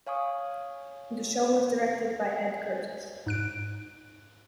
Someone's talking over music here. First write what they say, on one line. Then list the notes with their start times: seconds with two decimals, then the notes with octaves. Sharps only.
The show was directed by Ed Curtis.
0.07 C#5 F5 G#5 C#6 D#6
3.26 G#2 F#6 D7